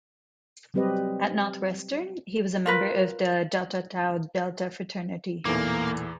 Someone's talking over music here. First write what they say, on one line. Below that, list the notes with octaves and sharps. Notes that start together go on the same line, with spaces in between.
At Northwestern, he was a member of the Delta Tau Delta fraternity.
F#3 G3 C4 G4 B4 D#5
F4 A#4 B4
B1 E2 A#2 E3 A3 A#3 D6